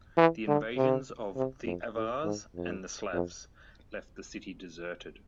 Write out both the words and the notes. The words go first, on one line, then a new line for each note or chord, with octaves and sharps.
The invasions of the Avars and Slavs left the city deserted.
E3
D3
C3
C3
F2
A2
G#2
F2
F2